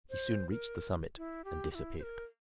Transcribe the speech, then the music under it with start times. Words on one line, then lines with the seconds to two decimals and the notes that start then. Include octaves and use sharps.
He soon reached the summit, and disappeared.
0.10 C5
0.50 A#4
1.18 E4
1.45 G4
1.72 G4
1.75 E4
1.99 C5
2.03 A#4